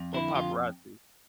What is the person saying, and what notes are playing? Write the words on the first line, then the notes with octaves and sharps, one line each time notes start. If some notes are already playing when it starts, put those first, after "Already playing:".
Or Paparazzi?
Already playing: F2
D3 E4
F2 F4